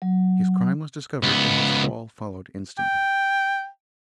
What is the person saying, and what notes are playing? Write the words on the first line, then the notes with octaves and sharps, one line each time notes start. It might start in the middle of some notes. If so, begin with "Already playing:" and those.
His crime was discovered, and his fall followed instantly.
F#3
C#2 B3
G5